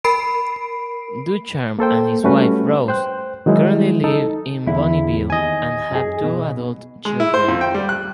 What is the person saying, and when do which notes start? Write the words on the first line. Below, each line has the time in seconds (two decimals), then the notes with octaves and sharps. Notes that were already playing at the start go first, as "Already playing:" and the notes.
Ducharme and his wife, Rose, currently live in Bonnyville and have two adult children.
0.04 A#4 B5 C7 D7
1.79 A#3 A4 C5 G5
2.24 G3 A3 C#4 F#4 B4
2.88 C5 G5 F#6
3.46 D#3 F#3 G#3 D#4 E4
4.04 D#4 A4
4.67 E2 D3 E4
5.30 D#2 D#5 G#5
5.91 F#2 G#4
6.21 B1 B2
7.05 G#3
7.20 E4
7.34 C5
7.48 F2
7.61 G5
7.74 G3
7.89 F#6